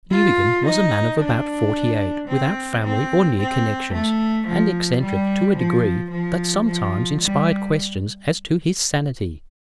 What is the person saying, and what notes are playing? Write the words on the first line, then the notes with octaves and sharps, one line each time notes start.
Newbegin was a man of about forty-eight, without family or near connections, and eccentric to a degree that sometimes inspired questions as to his sanity.
F4
D#4
D4
C4
C4
C4
A3
F3
G3
F3
F3
F3
G3